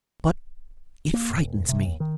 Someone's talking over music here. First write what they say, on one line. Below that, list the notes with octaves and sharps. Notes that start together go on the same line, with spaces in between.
But--... it frightens me.
A#3
F#2
D#1
C3
D#2
D#3